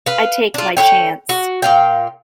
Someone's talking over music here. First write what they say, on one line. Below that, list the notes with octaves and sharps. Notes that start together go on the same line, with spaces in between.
I take my chance.
B4 F5
D4 F4
D3 G4 C#5 G5
F#4
A#2 F5 G5